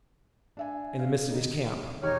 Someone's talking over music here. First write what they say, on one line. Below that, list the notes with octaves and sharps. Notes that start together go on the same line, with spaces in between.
"In the midst of his camp."
D4 E5 G#5
F5
D#3 D#4
E1 D#4 G4 C#5 C#6 F6